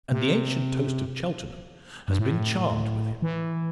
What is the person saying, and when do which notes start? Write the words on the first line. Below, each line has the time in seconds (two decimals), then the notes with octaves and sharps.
And the ancient toast of Cheltenham has been charmed with him.
0.12 C3
2.08 G2
2.19 A2
3.22 E3